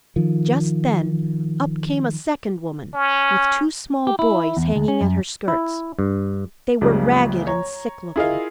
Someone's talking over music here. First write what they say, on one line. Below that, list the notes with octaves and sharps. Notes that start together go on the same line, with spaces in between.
Just then up came a second woman with two small boys hanging at her skirts. They were ragged and sick-looking.
D#3 F3
C#4
G4
E4
E2
D2
C#4
F#2
E4
G2
C#2 F#2 C#3 F3 G3 A#3
C#5 A#5
E4 F4 G#4 A#4 D#5 F5